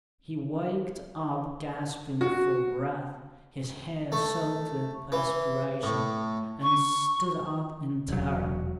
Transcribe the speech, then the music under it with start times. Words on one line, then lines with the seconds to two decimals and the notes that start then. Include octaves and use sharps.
He waked up, gasping for breath, his hair soaked with perspiration, and stood up in terror.
2.21 F#4
4.12 A3
5.12 E3
5.83 A2
6.62 C#6
8.08 E1 F#3